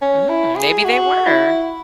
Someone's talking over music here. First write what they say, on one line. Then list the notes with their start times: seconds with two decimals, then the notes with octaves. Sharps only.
Mm, maybe they were.
0.02 C#4
0.29 E4
0.57 G#4
0.85 F#4
1.27 E4